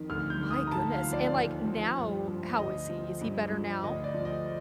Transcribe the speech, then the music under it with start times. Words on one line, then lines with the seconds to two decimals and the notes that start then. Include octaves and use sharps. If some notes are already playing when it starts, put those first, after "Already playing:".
my goodness, and, like, now, how is he? Is he better now
Already playing: F2 D#3
0.10 D2 F6
0.30 G6
0.41 D#3
0.51 D#6
0.67 A#5
0.72 D2 A5
0.92 F5
1.03 F3
1.13 D5
1.35 D#2
1.65 F3
1.97 G2
2.28 F3
2.58 D2 D#5
2.90 F3
3.21 G2
3.52 F3
3.83 D2 D#5
4.04 D5
4.14 F3
4.25 D#5